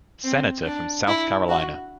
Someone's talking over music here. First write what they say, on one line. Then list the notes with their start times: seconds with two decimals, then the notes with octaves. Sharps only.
Senator from South Carolina.
0.24 C4
0.66 D4
1.07 E4
1.49 F#4